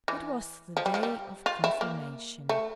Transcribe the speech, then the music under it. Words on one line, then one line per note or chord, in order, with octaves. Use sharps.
It was the day of confirmation.
E3
F3
G3
F3
G3
F4
E4
A#3
A3